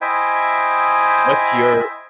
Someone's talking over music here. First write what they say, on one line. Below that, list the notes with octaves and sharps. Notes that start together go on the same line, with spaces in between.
What's your
E4 C5 D#5 E5 G5 G#5